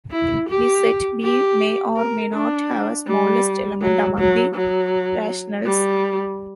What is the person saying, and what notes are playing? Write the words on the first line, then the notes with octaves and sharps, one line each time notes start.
The set "B" may or may not have a smallest element among the rationals.
E4
G4
G4
A#4
D4
G3
F#3
F#3
F#3
G3